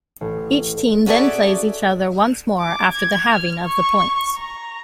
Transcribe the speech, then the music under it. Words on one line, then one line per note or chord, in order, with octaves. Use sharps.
Each team then plays each other once more after the halving of the points.
A1
C#4 F#4 G#4 A4 D5 E5
D6
G#6
F6
C#6
A#5